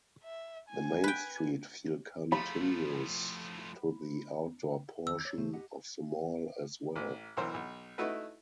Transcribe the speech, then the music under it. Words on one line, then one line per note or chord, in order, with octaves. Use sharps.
The Main Street feel continues to the outdoor portion of the mall, as well.
E5
G#5
B4 G5
F3 A3 B5
D#2 E6
C#5
C#3 A3 C5
G4 D#5 F#5
A1
B1 E3 A#4 C5
B1
A3 D#4 E4 F#4 B4